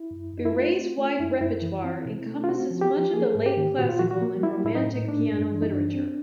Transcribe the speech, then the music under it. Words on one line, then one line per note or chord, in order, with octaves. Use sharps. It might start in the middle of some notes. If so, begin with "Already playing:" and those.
Biret's wide repertoire encompasses much of the late Classical and Romantic piano literature.
Already playing: E4
F#2
F#2 D#4
E4
A3 F4
C4
A3
F#2 E4
D#4
F#2 E4
E3
C4
B2
A3
F4
C4 F#4
F3
G4
F3
A#3 G#4
G#2
G4
D#3
A#2 F#4
F4
F3 F#4
F#4
A#3
F#3 E4
A2 E4
D#4
A2
A3 D4
G2
E3
D#4
G2 D4
C4